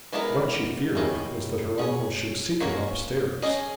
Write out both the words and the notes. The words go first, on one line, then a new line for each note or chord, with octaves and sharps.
What she feared was, that her uncle should seek her up-stairs.
E3 G#3 B3 E4 A#4
D#3 A#3 C#4 E4 G#4
C#4 G#4 C#5
A#3 C#4 F#4 C#5
C#4 G#4 D#5